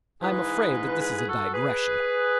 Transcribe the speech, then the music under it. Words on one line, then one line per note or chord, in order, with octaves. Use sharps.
I am afraid that this is a digression.
G#2 E3 G#4 B4
G#4 B4
G#4
F#4 A4
G#4 B4